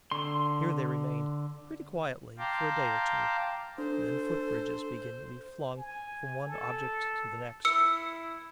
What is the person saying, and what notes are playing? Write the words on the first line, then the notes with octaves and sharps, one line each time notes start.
Here they remain, pretty quietly, for a day or two; then foot-bridges begin to be flung from one object to the next.
D3 C6
F5 G5 A5 A#5 C6 D6
D4 A4 C5
G#5
A4
E4 E6 C#7